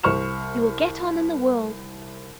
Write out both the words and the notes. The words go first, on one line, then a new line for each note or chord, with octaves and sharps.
You will get on in the world!
C2 C5 C#6 F6 E7